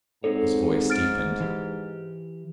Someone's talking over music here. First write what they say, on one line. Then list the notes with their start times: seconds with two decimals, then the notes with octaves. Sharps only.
His voice deepened.
0.24 G#2 C4 D#4 A4 C#5
0.90 F6 A6 D7
1.40 E3 G4